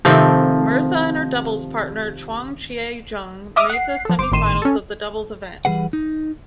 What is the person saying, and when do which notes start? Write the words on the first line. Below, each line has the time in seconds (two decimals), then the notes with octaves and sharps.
Mirza and her doubles partner Chuang Chia-jung made the semifinals of the doubles event.
0.05 C3 D#3 F3 A3 C4
3.56 D#5 E5 D6 D#6 F6
3.70 F#5 C7
4.05 F3 A4
4.19 G1 C5 D6
4.32 G#1 A2 D#3 C6 D#7 E7
4.62 C#4 A4
5.65 E3 G3 G#4 B4 F#5
5.93 D#4